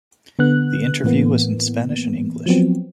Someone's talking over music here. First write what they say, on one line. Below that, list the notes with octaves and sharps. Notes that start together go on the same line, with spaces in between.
The interview was in Spanish and English.
D3 B3 F#6
A2 E3 A#3 B3
F3 F#3 B3 C4